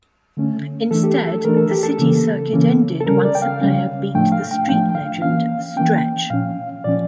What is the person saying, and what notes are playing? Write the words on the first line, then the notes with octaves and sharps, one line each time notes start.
Instead, the City Circuit ended once a player beat the Street Legend "Stretch".
D3 A3 C#4
E3 A3 D4 A4
G4
A4
E3 A3 D4 A#4
A4
G4
A4
C#3 E3 A#3 C#4
C#3 E3 A#3 C#4
A4
C#3 G3 C#4 A#4
D5
G5
F5
C#3 G3 C#4
A2 F3 A3 D4 G5
F5
G5
A2 F3 A3 D4 G5
F5
E3 A#3 C#4 F5
E3 A#3 C#4 G5
A#2 F3 C#4 F5
A#2 F3 C#4 D5